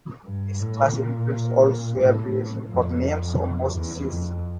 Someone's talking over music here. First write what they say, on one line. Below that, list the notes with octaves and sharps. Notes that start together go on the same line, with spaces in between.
This class includes also the abbreviations for the names of most sees.
G2
A2
A#2
A2
F2
E2
F2